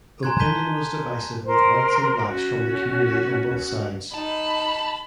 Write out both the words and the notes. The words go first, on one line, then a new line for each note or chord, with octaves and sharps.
Opinion was divisive with whites and blacks from the community on both sides.
G#5 A#5 C6 F#6 G#6
A5 A#5 G6 B6 D#7 G7
A#4 C5 C6
C#4 F#4
D#4 A5 B5